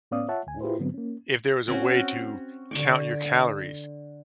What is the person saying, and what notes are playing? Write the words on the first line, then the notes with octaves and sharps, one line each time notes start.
w if there was a way to count your calories,
A2 B3 C#4 D5 F5 D#6
F4 C#5 E5 F#5 A5
D2 G#5
E4 F4 G4 G#4 B4 C5
G#2 D3 F#3 B3 C4
A#3 C#4
C4 C#4 F#4
D3 C#6 D6